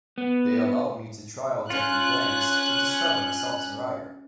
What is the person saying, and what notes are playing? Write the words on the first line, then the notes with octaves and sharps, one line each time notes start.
They allowed me to try out different things, to discover myself as a writer.
B3
C#4 F4 F#6